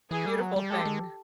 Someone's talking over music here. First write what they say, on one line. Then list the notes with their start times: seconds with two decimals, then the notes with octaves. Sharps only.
beautiful thing.
0.10 E3 G#4
0.26 G3
0.41 F#3
0.56 G3
0.70 G#3 G4 A4
0.85 G#3